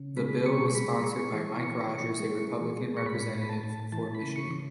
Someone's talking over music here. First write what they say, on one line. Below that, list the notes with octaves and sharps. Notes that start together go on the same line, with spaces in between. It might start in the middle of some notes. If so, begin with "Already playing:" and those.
The bill was sponsored by Mike Rogers, a republican representative for Michigan.
Already playing: C#3
G#3 B5
B5
B2 C#6
G#3 B5
B5
G#3 C#6
E3
E3
E3
G#3
G#3
G#3
C#6
A2 B5
A2
B5
A5
A2
E3 A5
B5
C#3
C#6
C#3